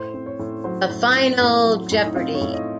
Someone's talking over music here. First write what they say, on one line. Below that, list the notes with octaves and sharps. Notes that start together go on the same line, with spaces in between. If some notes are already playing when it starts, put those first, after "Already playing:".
The Final Jeopardy!
Already playing: A2 C5
C4
C#5
A2
F#3 C5
A2
C4
A2
F#3
A2
D#4
C4 F4
C#5
A2
D#5